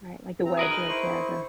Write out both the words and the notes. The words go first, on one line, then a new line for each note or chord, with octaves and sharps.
Right, like the wedge, like, yeah, the
C4 A#5
F#4 G#4 A#4 B4 E5
D#4 F6
E4 C5 C#6